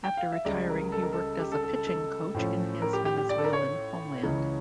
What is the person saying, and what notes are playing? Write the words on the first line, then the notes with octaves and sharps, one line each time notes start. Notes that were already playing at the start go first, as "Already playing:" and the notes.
After retiring he worked as a pitching coach in his Venezuelan homeland.
G5
F5
E5
C#2 C#3 G3 D5
A#4
A4
A#4
A4
G4
A4
A4
A4
A4
A2 F3 C#4
A#4
G4
G4
G4
D5
A4
A#4
C#5
C#2 C#3 E3